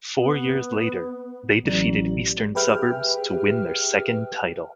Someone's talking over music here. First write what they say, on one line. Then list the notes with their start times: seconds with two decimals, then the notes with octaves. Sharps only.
Four years later they defeated Eastern Suburbs to win their second title.
0.18 B3
1.65 A1 F#3 D5 F#7
2.55 G4 G#4 B4 E5 G5 F6